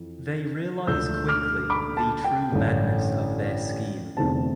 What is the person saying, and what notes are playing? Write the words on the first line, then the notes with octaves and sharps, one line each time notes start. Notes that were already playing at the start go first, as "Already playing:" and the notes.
They realize quickly the true madness of their scheme.
Already playing: F2 E3
E1 D2 D3 F3 A3 E6 G6
D6 F6
B5 D6
A5
G5
A1 G2 D3
F1 E2 D3 A3 C4 A5